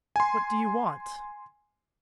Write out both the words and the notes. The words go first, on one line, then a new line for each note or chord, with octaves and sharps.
"What do you want?"
G#5 C6